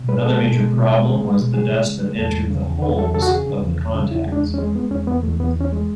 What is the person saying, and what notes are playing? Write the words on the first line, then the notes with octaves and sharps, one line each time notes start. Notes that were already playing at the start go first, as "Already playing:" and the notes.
Another major problem was the dust that entered the holes of the contacts.
Already playing: B2
G#3 B4
G#3 A4
B2
G#3
B2
G#3
G#3
G#3
B2
C#3 G#4
G#3
C#3
G#3
E2 A4
E2
C#3
E2
E2 B4
E2 A4
C#3 A4
F#4
C#3 G#4
C#3
E2
C#3
C#3
E2 E4
G#3
D4
E2
C#4
G#3
G#3 B3
E2 C#4
E2 B3
E2 A3
E2 B3
E2
C#4
G#3